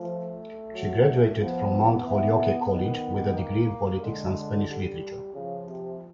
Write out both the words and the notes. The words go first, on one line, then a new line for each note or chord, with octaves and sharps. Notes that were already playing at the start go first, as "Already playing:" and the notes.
She graduated from Mount Holyoke College with a degree in politics and Spanish literature.
Already playing: F3 A3
F#3
F3 B3
E3 B3
D#3 B3
A#3
D3 G#3
G3
C#3 F3
C3